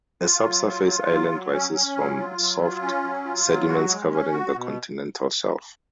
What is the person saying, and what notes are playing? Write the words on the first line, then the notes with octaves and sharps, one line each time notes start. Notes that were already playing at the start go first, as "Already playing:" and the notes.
A subsurface island rises from soft sediments covering the continental shelf.
F4
F#3
F4
F4
F#3
F#3
C#4
C#4
F#3
F4
F#3
F4
C#4
F#3
F4
F#3
F#4
G#3
C#4
F#4
B2